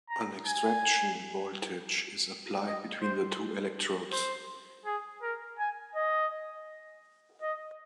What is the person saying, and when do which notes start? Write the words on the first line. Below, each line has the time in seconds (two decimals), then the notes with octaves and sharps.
An extraction voltage is applied between the two electrodes.
0.10 A#5
0.46 G#5
2.66 D#5
3.02 C5
4.12 C5
4.86 G#4
5.22 A#4
5.59 G#5
5.96 D#5
7.42 D#5